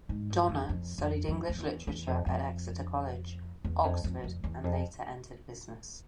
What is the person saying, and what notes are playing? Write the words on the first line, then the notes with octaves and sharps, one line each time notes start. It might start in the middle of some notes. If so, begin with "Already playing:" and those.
Donner studied English literature at Exeter College, Oxford and later entered business.
G#2
G2
F2
F2
F2
F2
F2
E2
E2
F2
F2
E2
F2
F2
F2
E2
F2